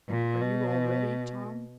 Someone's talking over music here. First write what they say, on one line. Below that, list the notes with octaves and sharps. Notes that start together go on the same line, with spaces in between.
"Are you all ready, Tom?"
A#2
B2